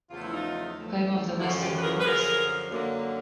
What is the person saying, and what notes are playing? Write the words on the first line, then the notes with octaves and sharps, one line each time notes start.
Home of the Weston Hawks.
E2 C#3 F3 A3 F4
E4
D#4 F4
E2 C#3 F3 A3
F#2 D3 F3 E4 F#4
F4 G4
B4
G#4 A#4
B4
F#2 D3 F3 G#4 A#4
F#2 D3 F#3 A#3